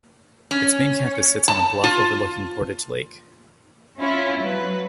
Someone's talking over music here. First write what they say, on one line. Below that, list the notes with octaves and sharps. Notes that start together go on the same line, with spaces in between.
Its main campus sits on on a bluff overlooking Portage Lake.
C#4
A5
F4
C#4 E4 F4
F#3 B4